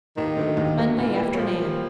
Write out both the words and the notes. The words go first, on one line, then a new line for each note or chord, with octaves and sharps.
Monday afternoon.
D#2 D#3
D3 F#3 A3
D#2
D3 F#3 A3
A#2 E3
G3 A#3
F#3
A#2 F3
G3 A#3